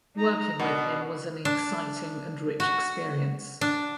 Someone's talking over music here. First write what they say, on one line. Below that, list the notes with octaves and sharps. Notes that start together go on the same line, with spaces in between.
Working with him was an exciting and rich experience.
D#4 A#5
B2 D4
D4
F#4
D4